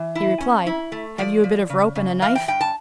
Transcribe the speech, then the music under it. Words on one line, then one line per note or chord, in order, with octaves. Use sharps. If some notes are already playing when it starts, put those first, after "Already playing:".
He replied, "Have you a bit of rope and a knife?"
Already playing: E3
E4
C#4
E4
A3
F3 D5
F3
C#3
C#3
E3 F5
G5
G2 G5
A5